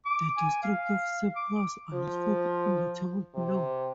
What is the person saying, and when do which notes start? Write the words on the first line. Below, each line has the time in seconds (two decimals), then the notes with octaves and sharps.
The districts of Cyprus are listed in the table below.
0.06 D6
0.37 G#5
0.63 F5
1.36 D6
1.94 F3
3.35 C3